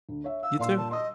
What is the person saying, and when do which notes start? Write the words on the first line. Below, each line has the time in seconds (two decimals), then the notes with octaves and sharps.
You too.
0.09 D2
0.24 C#5 E5
0.43 F5 E6
0.59 A#2 F5 C6 E6
0.78 A5
0.91 D#5 C6 D#6 E6